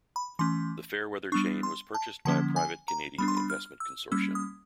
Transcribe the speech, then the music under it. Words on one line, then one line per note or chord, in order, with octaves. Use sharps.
The Fairweather chain was purchased by a private Canadian investment consortium.
B5
E3 A3 C#4 C6
G3 B3 D4 C#6
C6
A5
D3 F3 A#3 C#4 A5
G#5
A#5
G3 B3 D4 B5
C6
B5
F6
E6
G3 A#3 C#4 E6
D#6